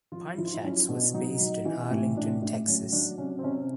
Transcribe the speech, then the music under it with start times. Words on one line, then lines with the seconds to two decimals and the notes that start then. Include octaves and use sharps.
Punchatz was based in Arlington, Texas.
0.12 F3 F4
0.38 F3 E4
0.46 F4
0.54 E4
0.64 F#3 C#4
0.88 B2 D4
1.14 F#3 D#4
1.40 F#3
1.65 E3
1.90 A2
2.17 A2 D4
2.42 A2 D4
2.68 F#3 C#4
2.92 F#3 D4
3.18 C3 C#4
3.39 C4
3.43 C3 C#4